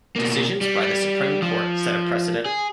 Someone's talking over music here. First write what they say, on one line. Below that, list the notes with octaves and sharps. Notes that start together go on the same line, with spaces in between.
Decisions by the supreme court set a precedent.
B2 A#3
G3
F3
G#4